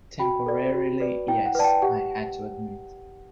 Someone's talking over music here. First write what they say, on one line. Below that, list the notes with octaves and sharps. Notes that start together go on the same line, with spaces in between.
"Temporarily, yes," I had to admit.
F#4 G5 B5
A4 D5
F#4
B4 D5
E4 G5
F#5
B4 D5 A5
G5
G4 F#5